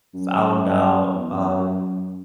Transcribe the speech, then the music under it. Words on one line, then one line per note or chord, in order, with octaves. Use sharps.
found out, um,
F#2
E2
F#2
F#2